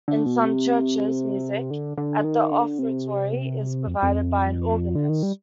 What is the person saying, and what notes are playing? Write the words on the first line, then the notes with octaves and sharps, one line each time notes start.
In some churches music at the offertory is provided by an organist.
D3
B2
C3
D3
D3
D#3
D3
C3
F2
F2
D3
D#3
G3